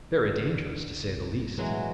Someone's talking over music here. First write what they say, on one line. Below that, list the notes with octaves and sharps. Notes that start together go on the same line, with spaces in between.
"Very dangerous, to say the least."
D3
C2
E1 A2 E3 F#3 G#3